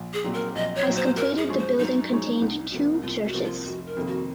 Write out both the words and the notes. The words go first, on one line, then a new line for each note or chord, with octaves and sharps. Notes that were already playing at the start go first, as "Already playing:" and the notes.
As completed the building contained two churches.
Already playing: A#1
G#4
A#2 F#3 C4 D#4
A#4
A#1 D#5
C#5
A#2 F#3 C4 D#4
C5
F#2 A#4
G#4
F3 G#3 C#4
C5
F#2 D#4
F3 G#3 C#4
C2
C3 F3 A#3
C2 F4
F#4
C3 F3 A#3
F4
F1 F#4
A#4
F2 C3 D#3 A#3
F#4